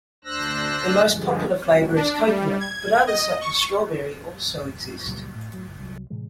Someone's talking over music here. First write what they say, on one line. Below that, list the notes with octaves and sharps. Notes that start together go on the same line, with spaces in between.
The most popular flavor is coconut, but others such as strawberry also exist.
D2 D4 C5 E6 F#6 A#6
G2 D3 F3 G3 G#3
D4
G3
G#6
D#5
C#6
C#2 A#2 F#3 G3
A2
A2 F#3
F#1
C2 F#3
A2 C3 E3 G#3